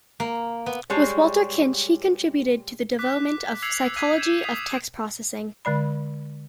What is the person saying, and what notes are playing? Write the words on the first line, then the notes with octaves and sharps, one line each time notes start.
With Walter Kintsch he contributed to the development of the psychology of text processing.
A#3
B3
G3 G#3 C#5
D6 F#6 B6
E6 G#6 C7 C#7 F7 F#7
G#6 B6 C7 D#7
G6 G#6 E7
D#6 B6 C7 F7
D3 G#3 D5 B5